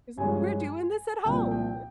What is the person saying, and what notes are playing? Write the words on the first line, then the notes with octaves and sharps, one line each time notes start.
he was like "We're doing this at home."
G2 F3 G#3 C#4 G#5
C2 A#2 F3 G5
G5